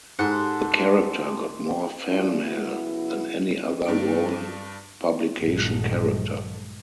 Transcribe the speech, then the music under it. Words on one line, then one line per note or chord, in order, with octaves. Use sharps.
The character got more fan mail than any other Warren Publication character.
G#2 G4 A4 F#5 C6
A3 C#4 D4 E4 F4
C#3 F#3 B3 E4
G2 D4 D7
A#1 G2 D#3 F#3 G#3 A3